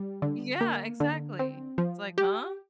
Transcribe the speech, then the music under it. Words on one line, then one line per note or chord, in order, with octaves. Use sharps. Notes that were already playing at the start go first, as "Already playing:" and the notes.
Yeah, exactly. It's like, huh?
Already playing: G3
D3
A#3
D3
C4
F3
G4